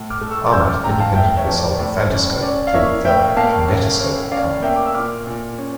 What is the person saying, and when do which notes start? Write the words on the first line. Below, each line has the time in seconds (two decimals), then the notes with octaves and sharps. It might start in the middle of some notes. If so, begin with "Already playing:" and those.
Armat independently sold the Phantoscope to The Kinetoscope Company.
Already playing: A2
0.10 D6 F6
0.21 A3
0.31 C#6 E6
0.47 A6
0.52 C#4 E6 G6
0.68 D6 F6
0.84 F3 G5 A#5
1.00 F5 A5
1.15 A2 E5 G5
1.37 C#5 E5
1.47 F3 C#5
1.58 D5
1.79 A2 D5
2.10 C#4 D5
2.42 C#4 D5
2.67 F5
2.74 A#3 C#5 E5
3.05 A2 E5 G5
3.37 A#3 F5 A5
3.68 C#4
4.00 C#4
4.31 C#4 D5 F5
4.62 A#3 E5 G5
4.76 D6
4.86 E6
4.94 A#2 D6 F6
5.27 A#2
5.58 C#4